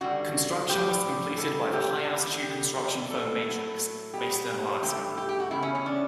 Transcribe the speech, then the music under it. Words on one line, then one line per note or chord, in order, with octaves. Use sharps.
Construction was completed by the high-altitude construction firm Matrix, based in Alaska.
G2 D3 G3 F#4
A2 G3 G4
F#2 C#3 G3 A4
G4
E2 D3 G3
G4
G2 E3 G3
A4
A2 F#3 A3
B2 G3 G4
G2 E3 A3 G4
G4
G4
F#4
E2 C#3 E4
C#4
C#4
D4